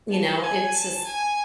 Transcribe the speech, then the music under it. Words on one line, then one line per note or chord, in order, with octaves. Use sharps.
you know, it's just
A5
G#5
A5
G#5